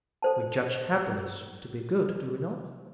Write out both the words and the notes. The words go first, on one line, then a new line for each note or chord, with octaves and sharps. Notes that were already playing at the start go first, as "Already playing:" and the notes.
'We judge happiness to be good, do we not?'
A4 C5 A5